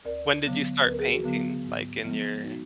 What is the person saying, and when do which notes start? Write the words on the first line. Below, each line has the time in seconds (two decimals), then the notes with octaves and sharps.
When did you start painting, like, in your,
0.05 D2 A#4 D5
0.45 D3 F#3 B3
0.84 D2 B4
0.92 A#4
0.99 G#4
1.05 F#4 A#4
1.24 D3 F#3 B3
1.64 G#2
2.04 F3 G#3 B3
2.43 D#4 F#4